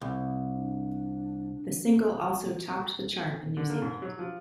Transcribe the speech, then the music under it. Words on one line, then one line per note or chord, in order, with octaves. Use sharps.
The single also topped the chart in New Zealand.
C2
D4
D3
A#3
G#2
F#3
F3